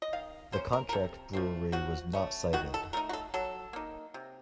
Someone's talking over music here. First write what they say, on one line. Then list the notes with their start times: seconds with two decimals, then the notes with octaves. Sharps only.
The contract brewery was not cited.
0.02 D#5
0.13 D#3 F5
0.52 A#3 C5
0.56 C#4
0.73 A#4
0.89 A#4
0.93 C3 A4
1.33 F3 A3 C4
1.72 F3 F#4
2.13 A3 C#4
2.53 D#3 F#4
2.74 A4
2.93 A3 D#4 A#4
3.09 F#4
3.13 A4
3.34 F#3 A4
3.73 A#3 D#4
4.14 C3